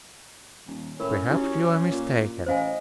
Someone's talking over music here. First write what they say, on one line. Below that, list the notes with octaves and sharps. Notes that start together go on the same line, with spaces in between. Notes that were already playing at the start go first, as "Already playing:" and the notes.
"Perhaps you are mistaken."
D#1
A2 C#4 A#4
F#2 E4 G4
A#2
A1 C5 D#5 F5 G#5